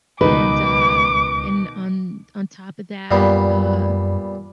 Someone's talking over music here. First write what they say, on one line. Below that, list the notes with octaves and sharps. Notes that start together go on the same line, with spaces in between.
And, uh, and on on top of that, uh,
C#2 B2 D#3 D#4 B4 D6
F#2 A#2 G3 B3